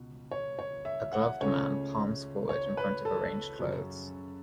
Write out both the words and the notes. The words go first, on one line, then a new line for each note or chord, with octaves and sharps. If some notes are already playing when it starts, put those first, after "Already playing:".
A gloved man palms forward in front of arranged clothes.
Already playing: C#2 B2 B3
C#5
C#5
E5
F#5
C#2 C#3 A3 C#4 C#5
C#5
B4
A4
F#2 C#3 F#3 C#4